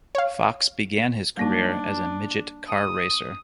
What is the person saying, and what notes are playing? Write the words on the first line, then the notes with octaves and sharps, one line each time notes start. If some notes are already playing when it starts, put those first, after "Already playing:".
Fox began his career as a midget car racer.
C#5 F5
G3 A#3 D4 D#4
D#6